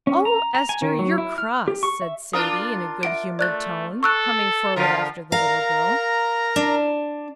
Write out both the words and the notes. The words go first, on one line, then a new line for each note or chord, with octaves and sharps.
"O, Ester, you're cross!" said Sadie, in a good-humored tone, coming forward after the little girl.
C#4
A#5
A#5
G#5
D#3
F#3
E4
F6
G4
C#6
E5
D4 F4 A#4 D#6
E5 F#5 D7
A3 D5 F#6 A6
A4 C#6 E6 F#6
D3 F3 F4 A#4
A#4 F5 A#5
D4